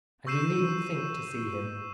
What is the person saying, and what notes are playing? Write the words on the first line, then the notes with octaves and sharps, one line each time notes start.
And you needn't think to see him.
C#6 E6 G6 C7 D#7 E7